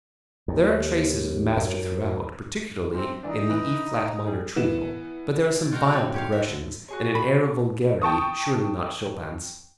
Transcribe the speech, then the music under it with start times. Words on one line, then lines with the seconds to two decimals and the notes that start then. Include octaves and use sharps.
There are traces of the master throughout, particularly in the E flat minor Trio, but there are some vile progressions and an air of vulgarity surely not Chopin's.
0.48 D#2
1.57 F#2
2.94 F#2 C4
3.23 E3 D4 D#4
3.49 E3 B4
4.27 G3 G#4
4.56 E3 B3 E7
5.55 A#2
5.72 F4 F#4 F5 G5 A#5
5.91 D3 F#3 C4
6.14 G4 C#5 F5
6.32 F#4 E5
6.45 D3
6.88 F#4 G#4 C#5
7.15 B5
8.02 G5 A5 C#6 D#6